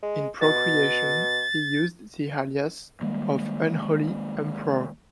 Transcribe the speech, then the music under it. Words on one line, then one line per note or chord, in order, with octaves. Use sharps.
In Procreation, he used the alias of Unholy Emperor.
G#3
B2 A6
D#3 G3 G#3 A#3